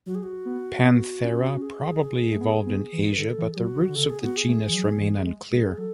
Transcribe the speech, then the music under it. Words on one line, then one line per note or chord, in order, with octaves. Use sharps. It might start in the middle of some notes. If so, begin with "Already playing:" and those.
"Panthera" probably evolved in Asia, but the roots of the genus remain unclear.
F#3 F#4
G#4
F#4
B3
B3
C#4
G#4
A3
B3
B3
E3
B4
D3 A4
E3
G#4
F#3 F#4
D3
D3
C#3 A4
G#4
B3 F#4
G#4
A3
E3
F#3
E3
G#3
G#3 G#4
F#3 A4